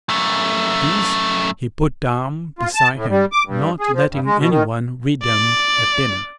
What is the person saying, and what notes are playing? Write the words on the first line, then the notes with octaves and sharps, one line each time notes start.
These he put down beside him--not letting anyone read them at dinner.
F#2 A3
F4
A5
A2
G3
D6
G2
G#4
F3
G2
G#3
B2
D#3
D5